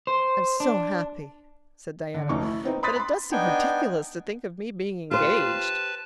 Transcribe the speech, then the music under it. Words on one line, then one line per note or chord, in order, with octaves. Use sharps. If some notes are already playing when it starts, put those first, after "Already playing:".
"I'm so happy," said Diana, "but it does seem ridiculous to think of me being engaged."
C5
D4
D3
F1 D2 C#4 D#4 C#6
E4
B3 C4 D#4
B5 C6 D#6 F#6 A6 B6
B5 C6
B3 D4 D#4 G5 G#5
F4 G4 B4 C5 A5